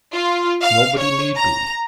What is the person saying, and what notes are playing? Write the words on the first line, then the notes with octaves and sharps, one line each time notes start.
'Nobody need be.
F4
F5
C#5
A#5